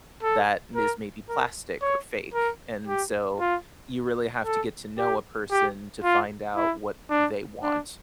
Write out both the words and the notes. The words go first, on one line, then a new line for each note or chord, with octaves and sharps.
that mis maybe plastic or fake, and so, you really have to get to know a person to find out what they want.
A4
A#4
A#4
C#5
A#4
G4
F4
A4
G4
G4
F4
E4
D4
D4